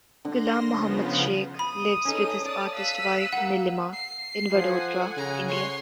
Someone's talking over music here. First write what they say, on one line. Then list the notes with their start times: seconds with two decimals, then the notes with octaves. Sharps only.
Gulam Mohammed Sheikh lives with his artist-wife Nilima in Vadodara, India.
0.25 D3 D4 C6 A#6
0.64 C#3 F3 B3
1.59 B5 D#6
2.05 B3 C#4 D#4 G#4 A4
2.41 D5 A5
2.74 F5 E6 F#6 B6 D#7
3.33 G3 A#3 F#5
3.93 C7
4.55 F3 A4 F#5 G#5
5.17 C#3 A#5
5.48 C#5 C6